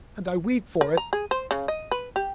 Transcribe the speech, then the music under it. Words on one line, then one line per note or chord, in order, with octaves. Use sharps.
And I weep for it!
A#4
A#5
G#4
C5
C#3
D#5
B4
G4